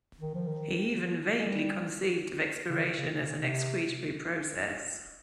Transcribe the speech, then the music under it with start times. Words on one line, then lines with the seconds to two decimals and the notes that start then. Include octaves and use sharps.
He even vaguely conceived of expiration as an excretory process.
0.21 D#3
0.35 F3
0.47 D#3
1.40 G#3
1.48 G3
2.70 C#3
2.76 D#3
2.98 C#3
3.20 C3
3.41 C3